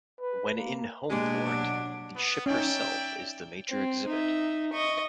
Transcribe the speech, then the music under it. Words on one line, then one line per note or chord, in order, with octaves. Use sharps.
When in homeport, the ship herself is the major "exhibit".
B4
A#3
B2 G#3 A#3 D4 G4
F#3
B3
C#4 D#4 D5 E5 G5
C4
D#4 E5
D#5 C#6